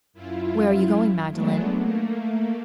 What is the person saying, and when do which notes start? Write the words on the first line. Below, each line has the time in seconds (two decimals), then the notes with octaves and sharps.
"Where are you going, Magdalen?"
0.13 F#2 E4 F4
1.30 F#3 G#3 A3 B3 D4
1.77 A3 A#3